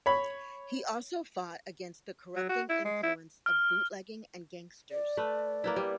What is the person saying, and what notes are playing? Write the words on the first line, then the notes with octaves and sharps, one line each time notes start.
He also fought against the corrupting influence of bootlegging and gangsters.
C#5 B5
F#3
F#4
E4
G#3
E4
F6
D5
A3 B4
A#3 B3 E4
G3